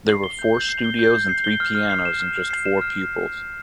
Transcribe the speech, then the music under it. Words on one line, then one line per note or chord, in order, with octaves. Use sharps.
There were four studios and three pianos and just four pupils.
C7
G7
G6
G6
C7
G7
G6
G6
C7
G7
F6
F6
C7
E7
F6
F6
C7
E7
F6